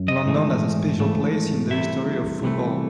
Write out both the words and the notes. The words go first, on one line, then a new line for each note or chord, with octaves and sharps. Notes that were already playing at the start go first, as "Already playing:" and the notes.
London has a special place in the history of football.
Already playing: F#2
D#5
G#2 E3 A3
G#2 E3 A3
C2 C3 E3 A3 E5
C2 C3 E3 A3